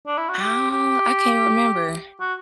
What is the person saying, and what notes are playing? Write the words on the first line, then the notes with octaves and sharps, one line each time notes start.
Oh, I can't remember.
D4
E4
F#4
G4
G4
F#4